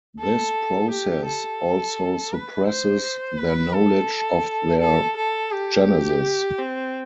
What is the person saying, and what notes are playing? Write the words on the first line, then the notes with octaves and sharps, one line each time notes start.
This process also suppresses their knowledge of their genesis.
A4
G4
A4
B4
C5
B4
A4
A4
A4
G4
C4